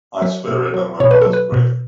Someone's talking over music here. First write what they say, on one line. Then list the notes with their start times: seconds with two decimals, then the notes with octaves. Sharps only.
I swear it on my mother's grave.
0.22 F#3 E5
0.48 B2
0.74 F#3
1.00 B2 C#5
1.11 B4
1.22 F#3 A4
1.33 B4
1.52 B2